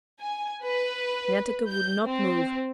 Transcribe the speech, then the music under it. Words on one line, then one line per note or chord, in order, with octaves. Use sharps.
Netteke would not move.
G#5
B4
G6
C4